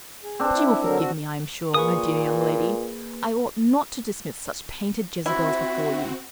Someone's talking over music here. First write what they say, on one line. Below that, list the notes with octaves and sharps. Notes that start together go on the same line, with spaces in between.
But you will forgive me, I am sure, my dear young lady: I ought not to discuss such painted Jezebels before you.
G#4
C4 D4
E4
D3 F#3 A#4
F#4
A#2 A#3 G#4 B4 C#6 D#6
C4 E4 F#4 E5